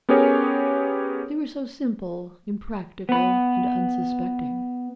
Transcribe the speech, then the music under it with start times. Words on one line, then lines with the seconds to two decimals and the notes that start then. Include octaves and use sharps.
They were so simple, impractical, and unsuspecting.
0.09 B3 C#4 G4 G#4 A#4 C#5
3.09 B3 B4